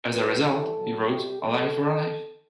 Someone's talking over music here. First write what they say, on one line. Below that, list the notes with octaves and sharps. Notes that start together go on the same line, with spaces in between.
As a result, he wrote A Life for a Life?
A2 G3 B4
A2 E3 G3 A4
B2 F#3
C3 G3 G4
B2 F#3 A4